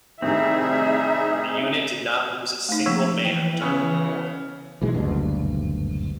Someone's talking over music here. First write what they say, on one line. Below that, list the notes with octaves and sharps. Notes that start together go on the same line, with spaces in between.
The unit did not lose a single man during the war.
A2 C3 D#3 G3 C4 D#4 G#4 E5
A3 D#4
F3 A#3 E6
E3 G5
C#3 B3 C#4
B1 B2 E3 G#3
F#1 D2 G2 B2